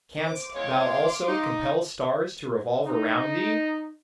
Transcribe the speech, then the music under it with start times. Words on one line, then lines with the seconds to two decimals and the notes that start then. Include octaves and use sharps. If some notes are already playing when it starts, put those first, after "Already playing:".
Canst thou also compel stars to revolve around thee?
0.18 C5 D6
0.54 E2 G#3 C#5 F5 C6 D6
1.27 D#4
2.86 D#4